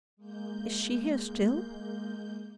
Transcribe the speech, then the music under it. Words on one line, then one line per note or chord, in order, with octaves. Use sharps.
Is she here still?
G#3 A#3 G6